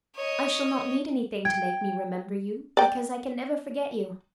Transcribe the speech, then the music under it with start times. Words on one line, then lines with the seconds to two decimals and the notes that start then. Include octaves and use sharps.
I shall not need anything to make me remember you because I can never forget you.
0.16 C#5 D#5
1.45 G5 G#6
2.77 D5 G5